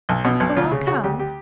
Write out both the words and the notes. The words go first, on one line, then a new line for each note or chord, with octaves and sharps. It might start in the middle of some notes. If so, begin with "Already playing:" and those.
Well, I'll come.
B1
B2
B1
D2 F4
C#3
C#3 F#4
D2 G4
G4